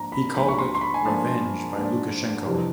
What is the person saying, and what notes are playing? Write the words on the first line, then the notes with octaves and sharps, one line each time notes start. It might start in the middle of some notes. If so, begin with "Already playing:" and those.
He called it "revenge by Lukashenko".
Already playing: G#2 F3 A#3 D4 A#5
B5
G#2 F3 A#3 D4 B5
C#6
C6
C6
B5
G#5
G#2 F3 A#3 D4 A5
G#2 F3 A#3 D4
F2 C3 E3 G3